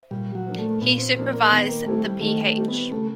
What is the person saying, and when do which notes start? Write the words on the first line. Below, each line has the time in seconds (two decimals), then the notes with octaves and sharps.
He supervised the Ph.
0.11 A#2 G3
0.35 F#3
0.46 F3 A#3 D4
0.59 A3
0.81 A#2 B3
0.98 C4
1.16 F3 A#3 C4 D4
1.33 A#3
1.51 D#3 B3
1.69 A#3
1.86 G3 A3 C4 E4 G4
2.04 G3
2.21 D#3 A3
2.45 A3
2.57 G3 C4 E4 G4
2.68 B3
2.91 C#3 A3